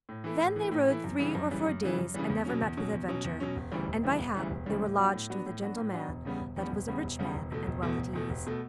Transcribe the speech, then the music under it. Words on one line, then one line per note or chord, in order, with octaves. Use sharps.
THEN they rode three or four days and never met with adventure, and by hap they were lodged with a gentle man that was a rich man and well at ease.
A2
E3 A3 E4
A2
E3 A3 E4
A2
E3 A3 E4
F#2
C#3 E3 G3
F#2
C#3 E3 G3
F#2
C#3 E3 G3
F#2
C#3 E3 G3
E2
B2 F#3 C#4
E2
B2 F#3 C#4
E2
B2 F#3 C#4
E2
B2 F#3 C#4
E1
D2 C#3 E3 G3
E1
D2 C#3 E3 G3
E1
D2 C#3 E3 G3
E1
D2 C#3 E3 G3
A2
F#3 B3 D4 F#4
A2
F#3 B3 D4 F#4
A2
F#3 B3 D4 F#4
A2
F#3 B3 D4 F#4
E1
E2 C#3 G3 B3
E1
E2 C#3 G3 B3
E1
E2 C#3 G3 B3
E1
E2 C#3 G3 B3
E1
E2 B2 A3
E1
E2 B2 A3
E1
E2 B2 A3
E1
B2 A3